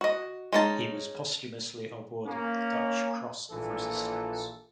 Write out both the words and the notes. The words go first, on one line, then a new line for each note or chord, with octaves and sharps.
He was posthumously awarded the Dutch Cross of Resistance.
F#4 D#5
G#3 C#4 D#4 E4 A5
A#3 C#4
A#1 A#2 E3 A4